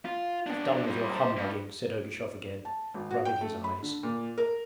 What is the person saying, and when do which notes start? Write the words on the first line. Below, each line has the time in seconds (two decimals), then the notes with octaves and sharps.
'Have done with your humbugging!' said Ergushov again, rubbing his eyes.
0.05 F4
0.46 B2 D4
0.87 G3 C4
1.14 G3 C5
1.37 G2
2.65 A5
2.94 G#1
3.11 F#4
3.25 G5
3.41 A3
3.64 B5
3.83 D3
4.03 A#2
4.38 A#4